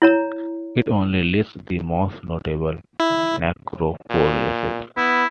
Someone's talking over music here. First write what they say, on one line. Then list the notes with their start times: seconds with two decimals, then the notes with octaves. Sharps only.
It only lists the most notable necropoleis.
0.02 E4 C#5 A#5
3.00 E4
4.10 A#2
4.97 B3 E4